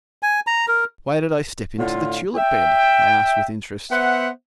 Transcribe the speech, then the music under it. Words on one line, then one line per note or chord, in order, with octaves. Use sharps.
"Why did I step into the tulip bed?" I asked with interest.
G#5
A#5
A#4
A2 D3 F4
E5 G5
B3 C5 E5 F#5